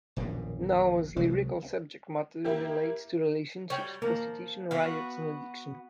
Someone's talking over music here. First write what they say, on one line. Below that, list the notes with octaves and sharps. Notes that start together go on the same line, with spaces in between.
Nowell's lyrical subject matter relates to relationships, prostitution, riots, and addiction.
D#1 A#1 F#2 B2
C2 F#3 G#3
A#3 E4 G4
G3 C#5 G5
F3 A#3 A#4
B3 F#4 F5